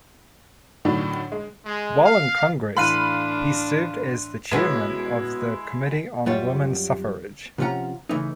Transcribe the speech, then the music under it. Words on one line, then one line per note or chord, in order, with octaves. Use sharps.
While in Congress he served as the chairman of the Committee on Woman Suffrage.
A2 D3 D#3 F#3 D4
G#3
G#3
F5
A2 E3 D4 F5 B5 C6 F#6 D#7
B2 G#3 B3 C#4 E4
F#2 G3 F4 C#5
C3 F3 C#4 F4 F#5 A#5
C#3 E3 A3 D#4